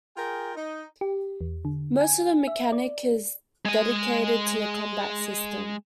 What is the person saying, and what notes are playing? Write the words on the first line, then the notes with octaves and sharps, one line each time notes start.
Most of the mechanic is dedicated to the combat system.
F4 G#4 A#4 G5
D#4
G4
E2
D3
G#5
E5
D5
G#3 G#5